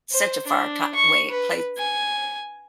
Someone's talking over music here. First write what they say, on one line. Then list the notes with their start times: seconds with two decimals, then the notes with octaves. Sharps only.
such a far top way place.
0.12 C5
0.47 D4
0.95 C#6
1.29 B4
1.78 G#5